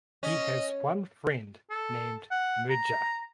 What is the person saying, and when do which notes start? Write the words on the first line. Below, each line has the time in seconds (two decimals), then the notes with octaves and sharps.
He has one friend named Merja.
0.23 C#4 D#5
1.70 A4
2.31 F#5
2.70 A#5